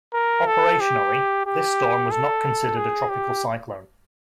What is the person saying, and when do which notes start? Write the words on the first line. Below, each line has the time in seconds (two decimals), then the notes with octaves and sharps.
Operationally, this storm was not considered a tropical cyclone.
0.14 A#4
0.47 A4
0.81 G4
1.46 G4
2.12 A4
2.77 G#4
3.09 G4